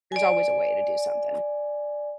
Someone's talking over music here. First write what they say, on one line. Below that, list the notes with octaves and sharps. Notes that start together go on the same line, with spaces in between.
there's always a way to do something.
D5 G#5